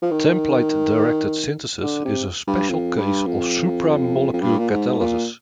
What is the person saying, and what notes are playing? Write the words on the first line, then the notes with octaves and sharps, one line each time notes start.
Template-directed synthesis is a special case of supramolecular catalysis.
F3
D#3
D3
C3
G2
F2
G2
F2
F2
G2
A#2
G#2
A#2